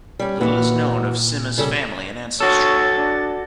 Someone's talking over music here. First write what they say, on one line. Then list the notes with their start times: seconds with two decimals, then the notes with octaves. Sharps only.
Little is known of Sima's family and ancestry.
0.19 G3 C#4
0.40 D#2 A#2 E3 F#4
1.58 C#3 G3 A4
2.40 F#4 A4 C#5 A6
2.97 D4